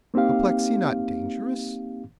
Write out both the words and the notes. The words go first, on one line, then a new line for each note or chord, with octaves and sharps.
"Apoplexy not dangerous?"
A#3 C4 D#4 G4 F5